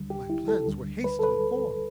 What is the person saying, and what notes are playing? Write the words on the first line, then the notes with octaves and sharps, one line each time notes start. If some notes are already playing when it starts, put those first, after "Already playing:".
My plans were hastily formed.
Already playing: D2 D3 G3
G4
E4
A4
D2 D3 G3
B4
A4
B4